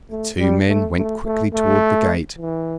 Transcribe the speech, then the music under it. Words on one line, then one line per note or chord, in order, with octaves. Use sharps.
The two men went quickly towards the gate.
A3
G3
A3
A3
A3
A3
E3